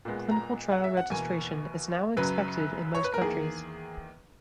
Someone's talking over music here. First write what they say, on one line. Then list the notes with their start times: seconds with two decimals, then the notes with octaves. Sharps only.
Clinical trial registration is now expected in most countries.
0.05 A#2 G#3 B3
0.31 A#5
0.72 F#5
0.84 E5
0.97 F#5
1.10 E2 B2 A#3 G#5
2.17 F#2 C#3 F#3 B4
2.95 C#5
3.04 B4
3.14 A#4
3.21 E2 D#3 A#3 G#4